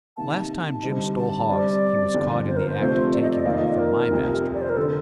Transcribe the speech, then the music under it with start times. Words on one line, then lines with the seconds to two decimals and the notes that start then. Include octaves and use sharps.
The last time Jim stole hogs he was caught in the act of taking one from my master, Col.
0.17 C3 D#3 A#3 A5
0.82 D3 G3 C4 D#4
1.16 A5
1.49 C3 G3 C4 D5
2.14 G1 F2 D3
2.47 C5
2.57 A#4
2.66 C5
2.80 C3 F3 A3 C4
3.13 D5
3.22 D#5
3.31 D5
3.40 D#5
3.45 F2 D#3 A#3 F4 D5
3.58 D#5
3.67 D5
3.78 A#4
4.11 F1 F2 C3
4.54 D5
4.62 C5
4.69 A#4
4.77 D3 A4